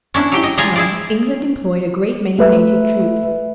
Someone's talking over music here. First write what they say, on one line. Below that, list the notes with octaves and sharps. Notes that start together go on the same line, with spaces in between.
At this time England employed a great many native troops.
C#4 D4 E4
F#3 G4 G5
D#5
E3 G3 F4 G#4 G#5 A#5
E4 G#4 D5
A3 B4 E5